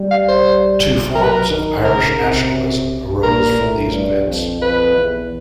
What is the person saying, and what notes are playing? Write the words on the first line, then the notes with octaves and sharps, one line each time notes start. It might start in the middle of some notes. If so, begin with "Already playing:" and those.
Two forms of Irish nationalism arose from these events.
Already playing: G3
F5
C5
F#3 A#4
B4
A#4
D#3
C#3 A#4
C3
A#2 A#4
A2
G2
F2
F2 B4
E2